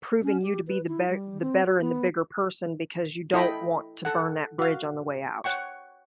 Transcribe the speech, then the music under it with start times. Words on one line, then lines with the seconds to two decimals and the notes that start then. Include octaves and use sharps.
proving you to be the ber the better and the bigger person, because you don't want to burn that bridge on the way out.
0.23 C#4
0.43 G4
0.67 B4
0.87 E4
1.09 G3
1.41 C4
1.65 F#4
1.81 B3
3.34 E4 A4 D#5 G5 B5
4.05 A4 F#5
4.59 F#4 F5
5.44 C#5 F#5 G5 C#6